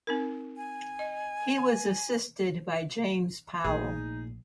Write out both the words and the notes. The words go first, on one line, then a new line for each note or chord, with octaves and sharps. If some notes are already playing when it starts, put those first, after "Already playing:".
He was assisted by James Powell.
C4 D#4 A#4
G#5
D#5
A#1 A#2 A3 D#4 G#4